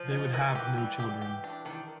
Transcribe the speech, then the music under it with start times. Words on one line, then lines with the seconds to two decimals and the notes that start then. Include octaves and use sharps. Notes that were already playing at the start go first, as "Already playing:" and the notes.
They would have no children.
Already playing: F3
0.11 D#4
0.33 E3 A#4
0.55 G4
0.78 G3
0.99 G4
1.22 G4
1.44 D4
1.65 D#3 D4